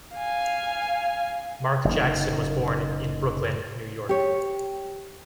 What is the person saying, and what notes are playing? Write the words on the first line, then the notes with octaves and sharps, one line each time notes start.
Mark Jackson was born in Brooklyn, New York.
F5 G#5
F#1 D#3
G4 C#5